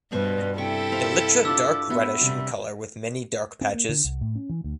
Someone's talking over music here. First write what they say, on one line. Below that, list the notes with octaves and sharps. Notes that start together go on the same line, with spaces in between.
Elytra dark reddish in color with many dark patches.
G2 B2 G3 B4 C5 C#6
C3 E4 G4 A4 G5 C#6
C5 F5
D4 F4 D6 E6
B3 F#4 G4 E5
C3 G3
C4
A#3
D3
C2
A2
C#4
E3
D2